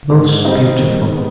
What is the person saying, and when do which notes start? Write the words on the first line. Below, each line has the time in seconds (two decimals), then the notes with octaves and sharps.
Most beautiful.
0.10 G#2
0.45 G3 C4 D#4
0.79 D#3
1.13 G#3 B3